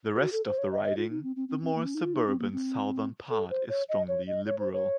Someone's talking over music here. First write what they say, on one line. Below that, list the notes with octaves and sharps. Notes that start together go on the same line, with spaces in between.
The rest of the riding, the more suburban southern part is strongly Liberal.
A4
F#4
A4
C5
C#5
D#5
D#5
F4
D#4
C4
C4
C4
C4
A#3
C#4
D#4
F4
D#4
C4
A#3
C4
A4
C5
C#5
D#5
C#5
D#5
C#5
C5
C#5